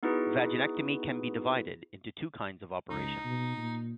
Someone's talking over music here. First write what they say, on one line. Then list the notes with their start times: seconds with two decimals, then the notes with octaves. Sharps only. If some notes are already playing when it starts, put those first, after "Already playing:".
Vaginectomy can be divided into two kinds of operations.
0.03 B3 D#4 E4 F#4 G#4 B4
2.90 C#2 D#4
3.25 B2
3.57 A#2